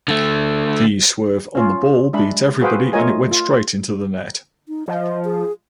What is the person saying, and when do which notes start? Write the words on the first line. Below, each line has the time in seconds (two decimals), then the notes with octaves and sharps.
The swerve on the ball beat everybody and it went straight into the net!
0.08 D3 A3
1.55 C#4 F4
2.13 G#3 D4 E5 B5
2.61 F#4 G#4 B4 C5 F5 G5
2.93 A3 F4 A#4 C#5 D#5 G#5
3.31 F4
4.68 D#4
4.88 F3 D#5
5.24 G#4